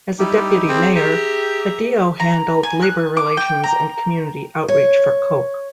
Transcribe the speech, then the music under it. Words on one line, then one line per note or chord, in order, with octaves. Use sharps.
As a deputy mayor Badillo handled labor relations and community outreach for Koch.
G3 D#4 E4 G4
C4 G#4
G4 E5 A#5
A#5
G#5
F#6
D6
G5
A#5
C#5